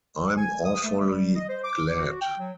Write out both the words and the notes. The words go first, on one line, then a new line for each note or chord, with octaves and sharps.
I'm awfully glad.
G#5
D#6
A3
G3
D#5
C5
D6
F#4
G5
F#3